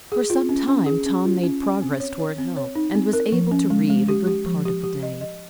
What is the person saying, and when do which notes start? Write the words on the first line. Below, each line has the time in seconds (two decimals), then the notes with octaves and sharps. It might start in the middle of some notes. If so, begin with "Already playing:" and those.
For some time Tom made progress toward health, and was able to read a good part of the day.
0.12 G#4
0.30 F4
0.49 C#4
0.68 C#4
0.86 G#4
1.06 C#4
1.25 F4
1.43 C#4
1.63 C#4
1.82 C4
2.00 C#5
2.19 C#5
2.38 C4
2.57 C#5
2.75 D#4
2.95 C4
3.13 A#4
3.32 F3
3.51 C#4
3.70 G#3
3.90 G#3
4.08 G4
4.27 G4
4.46 F3
4.65 G4
4.84 G4
5.03 D#5
5.21 D#5